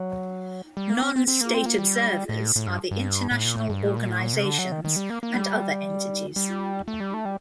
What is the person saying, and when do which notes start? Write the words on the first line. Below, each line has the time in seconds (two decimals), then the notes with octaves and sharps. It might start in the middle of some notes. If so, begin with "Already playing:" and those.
Non-state observers are the international organizations and other entities.
Already playing: F#3
0.77 G3
0.90 A#3
1.03 C4
1.16 C4
1.28 C4
1.41 A#3
1.54 C4
1.66 A#3
1.78 G3
2.29 A2
2.56 A2
2.67 G2
2.91 G2
3.31 A2
3.45 A#2
3.57 A2
3.70 G2
3.83 A2
3.97 A#2
4.08 A2
4.22 A#2
4.33 C3
4.45 D3
4.58 F#3
4.72 D#3
4.84 D#3
4.96 G3
5.10 A#3
5.23 A#3
5.35 G3
6.36 G3
6.88 A3
7.00 G3
7.14 A3
7.25 G3